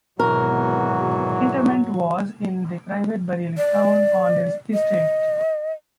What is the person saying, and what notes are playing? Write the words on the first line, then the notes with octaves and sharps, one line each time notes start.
Interment was in the private burial ground on his estate.
G#1 E2 B2 E3 F#3 F#4 A#4
D5
D#5